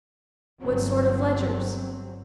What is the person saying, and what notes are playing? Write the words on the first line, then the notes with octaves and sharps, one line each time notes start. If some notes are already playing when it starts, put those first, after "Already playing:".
"What sort of ledgers?"
G1 G2 F#3 C4